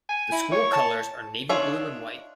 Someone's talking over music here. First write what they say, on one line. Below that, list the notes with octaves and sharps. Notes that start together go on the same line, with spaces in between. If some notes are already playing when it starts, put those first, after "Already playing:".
The school colors are navy blue and white.
G#5
E4
C#5
A5
D4 D#4 F4 C#5 E5